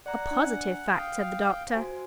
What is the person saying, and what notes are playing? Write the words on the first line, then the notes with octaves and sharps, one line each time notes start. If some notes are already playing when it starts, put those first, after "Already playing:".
"A positive fact," said the Doctor.
D5 F#5 A#5
D4
F5 G5 D#6
F#4 C5 G#5